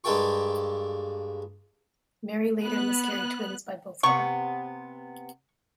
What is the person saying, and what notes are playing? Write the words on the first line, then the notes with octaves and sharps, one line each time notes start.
Mary later miscarried twins by Bothwell.
G2 G#3 A#3 A4 G5 C#6
B3 F#6
C3 B3 C#6